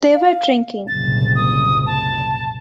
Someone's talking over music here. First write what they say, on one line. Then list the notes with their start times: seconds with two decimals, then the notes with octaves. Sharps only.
They were drinking.
0.15 F5
0.88 F#1 C2 A#2 A6
1.35 D#6
1.86 A5